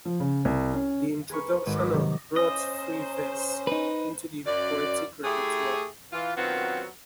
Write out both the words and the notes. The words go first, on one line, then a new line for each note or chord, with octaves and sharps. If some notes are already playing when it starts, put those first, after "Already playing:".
The introduction of brought free verse into the poetic repertoire.
F3
C#3
C2
C#4
G#4 A#4 B4 C#6
G#1
C3 D#3 F#3 G4
C#4 C5 D#5
D#4 B4
F#2 D5
A3 E4 G4 G#4
E3 F4
F#2 D#3 F#3 B3 C4 F4